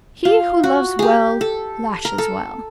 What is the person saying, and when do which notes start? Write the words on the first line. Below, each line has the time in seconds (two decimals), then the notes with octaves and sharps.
He who loves well lashes well.
0.25 F4
0.64 F#4
0.99 G4 G#4
1.41 A4
2.05 A#4
2.18 A4